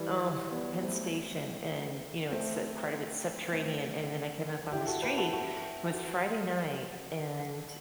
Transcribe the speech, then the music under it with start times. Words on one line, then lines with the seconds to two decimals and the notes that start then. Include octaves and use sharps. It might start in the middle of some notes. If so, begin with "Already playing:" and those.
oh, Penn Station, and, you know, it's uh, part of it's subterranean, and then I came up on the street it was Friday night, and
Already playing: E3 G3
0.51 G3 B3
0.81 A3 C4
2.31 A3 C4
3.52 A3 C4
4.72 E4 G4
4.87 F#4 A4
5.02 G4 B4
5.17 F#4 A4
5.32 F#4 A4
5.93 F#4 A4